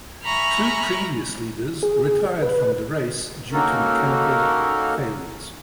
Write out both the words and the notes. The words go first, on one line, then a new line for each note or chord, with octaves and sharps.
Two previous leaders retired from the race due to mechanical failures.
E5 G#5 A#5 B5 C#6 F6
G#4
B4
A#3 C#4 D#4 F#4 A4 A#4